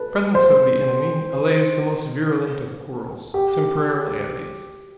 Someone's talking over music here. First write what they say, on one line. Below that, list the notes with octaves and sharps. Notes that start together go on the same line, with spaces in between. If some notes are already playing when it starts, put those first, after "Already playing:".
The presence of the enemy allays the most virulent of quarrels, temporarily at least.
Already playing: A4 B4
C5
G4